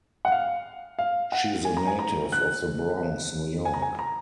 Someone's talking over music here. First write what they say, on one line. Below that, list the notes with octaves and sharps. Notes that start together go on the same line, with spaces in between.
She is a native of The Bronx, New York.
F#5
F5
F5
F#5
G#5
A#5
G#5
A#5
F#6
G#5
A#5
G#5
A#5